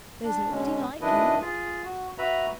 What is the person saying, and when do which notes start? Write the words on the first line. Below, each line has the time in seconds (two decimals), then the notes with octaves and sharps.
There's nobody like him.
0.24 D4
0.50 B2 D3 G#3 C#4
1.01 F#2 D#3 D4 E4 B4 D#5
1.42 F4 G#4
1.84 F#4
2.18 F#4 B4 E5 A#5 B5